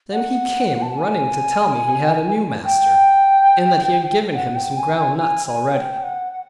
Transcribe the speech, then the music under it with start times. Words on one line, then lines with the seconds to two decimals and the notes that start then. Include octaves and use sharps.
Then he came running to tell me he had a new master, and that he had given him some ground nuts already.
0.12 F#5
0.82 A5
0.97 G#5
2.65 G5
4.34 F#5
4.55 G5
4.77 G#5
4.97 G#5
5.18 G#5
5.47 G#5
5.75 G5
6.03 F#5
6.31 F#5